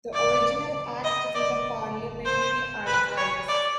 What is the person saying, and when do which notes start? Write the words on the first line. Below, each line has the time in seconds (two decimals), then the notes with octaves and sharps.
The original act is in the Parliamentary Archives.
0.14 D5
1.04 D#5
1.35 D5
2.26 C5
2.87 B4
3.17 C#5
3.48 D5